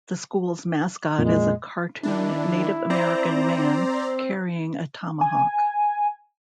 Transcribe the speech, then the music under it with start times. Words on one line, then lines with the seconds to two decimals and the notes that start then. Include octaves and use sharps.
The school's mascot is a cartoon Native American man carrying a tomahawk.
1.19 F2 A#2 G#3
2.03 D#3 D4 E4
2.90 C4 C5 D5 A#5
5.21 G#5